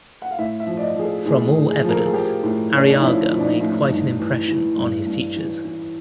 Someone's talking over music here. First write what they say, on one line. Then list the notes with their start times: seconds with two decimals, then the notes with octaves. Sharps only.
From all evidence, Arriaga made quite an impression on his teachers.
0.22 F#5
0.31 F5
0.39 A2 E5
0.60 E5
0.67 F3
0.77 D5
0.81 D#5
0.96 F3 G#4
1.04 A4
1.26 A2 G#4
1.36 A4
1.47 G#4
1.56 A2
1.70 G#4
1.84 F3 A#4
1.97 A4
2.06 G#4
2.13 F3 G4
2.43 A2
2.73 A2 C#4
2.86 D4
2.93 D#4
3.01 F3 E4
3.31 F3
3.37 D4
3.45 D#4
3.60 A2
3.89 G2 D#4
4.19 E3
4.48 E3
4.78 G2
5.07 G2
5.36 E3
5.65 E3